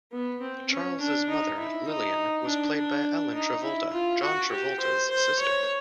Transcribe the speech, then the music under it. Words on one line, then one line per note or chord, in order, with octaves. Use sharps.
Charles' mother, Lillian, was played by Ellen Travolta, John Travolta's sister.
B3
C4
C#4
D4
D#4
E4
D#4
D4
D4
D#4
E4
F4
F#4
G4
C5
C5
C#5